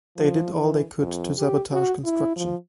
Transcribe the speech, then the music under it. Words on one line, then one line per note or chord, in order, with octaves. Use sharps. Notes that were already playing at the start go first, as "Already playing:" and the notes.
They did all they could to sabotage construction.
F3
E3
F2
G4
F#4
E4
F3